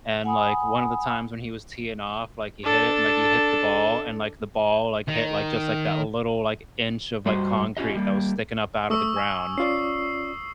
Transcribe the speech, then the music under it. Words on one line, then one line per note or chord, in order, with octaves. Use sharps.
and, like, one of the times when he was teeing off, like, he hit it, and, like, he hit the ball, and, like, the ball, like, hit, like, just, like, that little, like, inch of, like, concrete that was sticking up out of the ground,
F#5 G#5 B5 D#6
D4 A4
D#3
G2 G3 F#4 C5 D#5
C#4 F4 G4 D#5
G3 A#3
A3 C#6 D#6 E6
G#5
C#4 F4 D5 C7